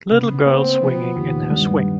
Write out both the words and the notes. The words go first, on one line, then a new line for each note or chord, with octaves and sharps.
Little girl swinging in her swing.
C#3 B3
A#3 C4
F3 B3
D#2
G2